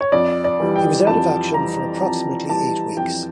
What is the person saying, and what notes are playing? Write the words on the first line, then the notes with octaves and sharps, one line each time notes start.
He was out of action for approximately eight weeks.
C#5
F2 D5
D5
E3 G3
G5
F2 A5
E3 G3 A#5
F2 A5
E3 G3 A5
F2 G5